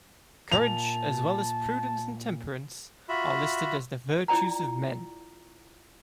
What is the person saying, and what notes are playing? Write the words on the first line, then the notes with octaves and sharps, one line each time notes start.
Courage as well as prudence and temperance are listed as the virtues of men.
A#2 A5 F7
F4 F#4 E5 B5
E4 F4 D5 G5 A#5